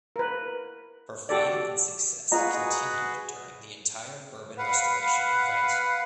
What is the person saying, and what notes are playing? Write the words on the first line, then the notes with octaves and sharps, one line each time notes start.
Her fame and success continued during the entire Bourbon Restoration in France.
A#4 B4
F#4 G4 A4 D5
F4 F#4 G#4 B4 D#5 A#5
B4 F5 F#5